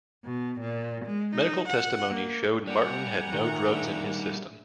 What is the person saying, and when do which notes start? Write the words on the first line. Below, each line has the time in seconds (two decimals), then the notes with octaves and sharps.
Medical testimony showed Martin had no drugs in his system.
0.25 B2
0.61 A#2
1.05 G#3
1.36 D#4
1.69 F#5
2.11 A#3
2.67 G3 A#3 A#4 D5 F#5 G#5 A#5
3.33 A#2 D#3 A3 E4
3.69 G3 A#3 D4 G#4 E5